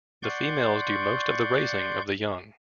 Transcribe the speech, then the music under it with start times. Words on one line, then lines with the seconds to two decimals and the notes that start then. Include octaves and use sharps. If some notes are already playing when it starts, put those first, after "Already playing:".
The females do most of the raising of the young.
0.23 D5 F#5 C6 C#6 G6